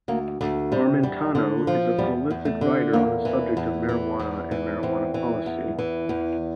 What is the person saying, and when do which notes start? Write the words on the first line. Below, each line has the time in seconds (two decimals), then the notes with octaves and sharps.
Armentano is a prolific writer on the subject of marijuana and marijuana policy.
0.08 D2 A#3
0.41 D2 A3
0.72 C3 G3
1.03 E2 G3
1.35 D3
1.67 F3
1.98 E2 G3
2.30 E2
2.45 A3
2.61 D3
2.93 E2 A#3
3.25 E3
3.57 E2
3.89 E3
4.19 E2
4.51 E3
4.83 E2 C4
5.14 E3
5.46 E2
5.79 E3
6.09 E2